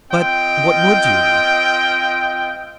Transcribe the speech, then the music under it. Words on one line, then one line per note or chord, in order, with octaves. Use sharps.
But what would you?
C4 F4 D#5 G5